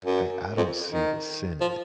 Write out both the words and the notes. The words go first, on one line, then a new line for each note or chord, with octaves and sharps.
a I don't see the sin in it.
F#2
F2
D#3
F3